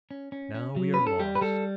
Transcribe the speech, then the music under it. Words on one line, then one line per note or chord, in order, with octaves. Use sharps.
"Now we are lost."
C#4
C#4
C#4
F#3
C#4 B4
A4
G3 G4
B4
G3 A4